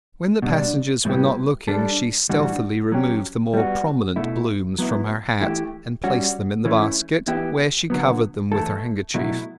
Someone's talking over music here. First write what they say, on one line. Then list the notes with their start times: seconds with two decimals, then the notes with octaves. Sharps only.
When the passengers were not looking she stealthily removed the more prominent blooms from her hat and placed them in the basket, where she covered them with her handkerchief.
0.42 B2 G3 D4
1.05 A2 G3 B3 E4 G4
1.68 G3 D4 A4
2.29 A2 E3 G3 D4 F#4
2.92 F#3 C#4 G4
3.54 G3 B3 F#4
4.16 B2 A3 E4
4.79 F#3 B3 E4
5.41 E3 A3 E4 G4
6.04 G3 C#4 F#4
6.65 E3 A3 C#4 E4
7.28 E3 B3 E4 G4
7.90 D3 F#3 B3
8.52 E3 A3 E4 A4
9.14 B2 F#3 A3 E4